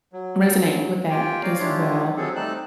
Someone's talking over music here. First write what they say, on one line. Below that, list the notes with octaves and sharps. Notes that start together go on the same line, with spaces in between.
resonate with that as well.
F#3
F4 G4 G5 G#5
C#5 D5 F5 A#5
G#3 D4 E4 F4 G4 C#5
C3 F#3 C4 G#4 A4
G3 A3 C4 D#4 A5 F#6